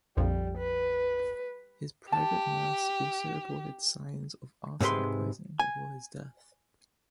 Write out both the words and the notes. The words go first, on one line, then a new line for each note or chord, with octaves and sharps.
His private nurse also reported signs of arsenic poisoning before his death.
A#1 F2 G3
B4
G4 A5
G#2 C3 G#3 B4 C6
G#5